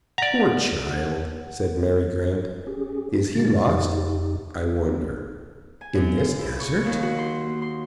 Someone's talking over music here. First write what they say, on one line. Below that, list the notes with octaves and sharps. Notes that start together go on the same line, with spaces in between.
"Poor child!" said Mary Grant. "Is he lost, I wonder, in this desert?"
D5 F#5 A#5
C#4 G4 G#4
A#2 D3 G#3 F#4 A6
F2 D#4 G4
G#5
F#2
F4
E4
C#6
D#2
F#4
C6
A#3
C6